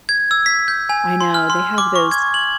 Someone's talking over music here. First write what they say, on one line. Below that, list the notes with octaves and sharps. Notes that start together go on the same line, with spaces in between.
I know, they have those
G#6
E6
B6
G6
G#5
C6
F6
C6
D6
C#6
G#6
F#7